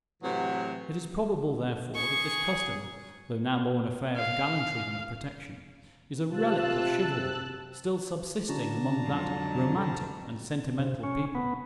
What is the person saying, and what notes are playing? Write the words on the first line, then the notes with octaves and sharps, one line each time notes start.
It is probable, therefore, that this custom, though now more an affair of gallantry than of protection, is a relic of chivalry still subsisting among that romantic and sentimental people.
A2 C3 E3 F#3
G#4 C#6
F5
C3 F4 A5 E6 F#6
D3 C#4 E4 F#4 A5 A#5
F2 G#2 F#3
C#4 A4
C3
C#4
B3